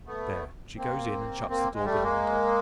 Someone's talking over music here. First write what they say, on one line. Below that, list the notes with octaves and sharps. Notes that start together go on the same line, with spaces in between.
There she goes in, and shuts the door behind her!
A3 B3
A#3 C4
A#3 C4
G#3
G3 A3
G#3 A#3